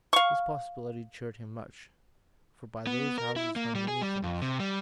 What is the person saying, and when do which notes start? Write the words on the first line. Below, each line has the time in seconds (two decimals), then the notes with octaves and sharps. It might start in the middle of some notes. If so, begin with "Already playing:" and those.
This possibility cheered him much, for by those houses hung many things.
0.13 F5 C#6
2.87 B3
3.18 A#4
3.36 E4
3.56 A#3
3.75 G3
3.88 G#4
4.02 G3
4.23 F2
4.42 C3
4.60 G3